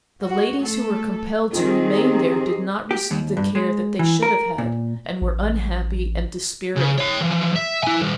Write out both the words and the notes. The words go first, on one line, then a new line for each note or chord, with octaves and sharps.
The ladies who were compelled to remain there did not receive the care that they should have had, and were unhappy and dispirited.
F#4
A3 A4
D#3 C4 F4 G#4
G4
G4
D#2
G2
G#3
E3
A#4
A#2
A1
C#3
C#5 G5
E3 F3
E5
E4 G#5
D#3 G3